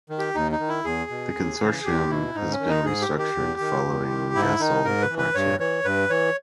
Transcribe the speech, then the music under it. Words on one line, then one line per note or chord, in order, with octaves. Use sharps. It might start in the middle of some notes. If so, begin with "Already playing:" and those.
The consortium has been restructured following Gasol departure.
D#3
G4
D#2 D#4
D#4
D#3
E4
E2 G#4
B2
D#2
C#3 E3
E2 G4
B2 E4
G#2 D#4
C#4
D#3
D#4
G#2 G#4
G4
D#3
G4
E2
D#3
E2
D#3
G#2 E4
D#3 D#4
G#2 A#4
B4
E3
B4
G2 C#5
E3 C#5
G2 B4
E3 C#5